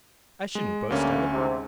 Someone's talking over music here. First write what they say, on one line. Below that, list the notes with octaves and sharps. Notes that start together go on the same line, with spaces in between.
I shouldn't boast of it.
G#3
D2 G3 A3 A#3 C#4
G#2 C3